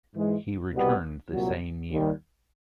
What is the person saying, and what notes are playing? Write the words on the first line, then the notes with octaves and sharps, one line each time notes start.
He returned the same year.
G#2 E3 G#3
C2 B2 G3 B3
C2 A#2 F#3
D#2 D#3 G3